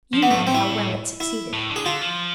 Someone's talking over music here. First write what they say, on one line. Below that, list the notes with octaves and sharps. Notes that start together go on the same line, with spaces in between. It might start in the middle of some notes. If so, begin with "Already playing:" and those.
You know how well it succeeded--.
F3
E3 B3
G#2 A3
A2
C4
E4
E4
A2
D3
G#4
D3 F4
F3